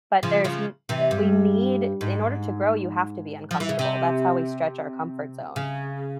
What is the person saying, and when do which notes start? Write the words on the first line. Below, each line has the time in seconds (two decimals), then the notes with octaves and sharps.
But there's n we need in order to grow, you have to be uncomfortable, that's how we stretch our comfort zone.
0.23 C#3 F3
0.44 C#3 F3
0.89 C3 E3
1.11 G2
2.01 G#2
3.51 F3
3.60 E3
3.69 C#3
3.79 C3
5.56 C#3